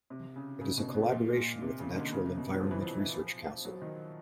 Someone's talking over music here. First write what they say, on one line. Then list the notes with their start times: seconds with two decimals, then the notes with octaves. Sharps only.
It is a collaboration with the Natural Environment Research Council.
0.10 C3
0.36 C#3
0.61 C#3
0.78 B2
0.94 B2
1.12 A#2
1.62 C3
1.80 C#3
1.91 D#3
1.96 D3
2.13 C#3
2.25 C3
2.38 B2
2.50 F#3
2.61 F3
2.71 E3
2.81 F3
3.65 F#3
3.82 D#3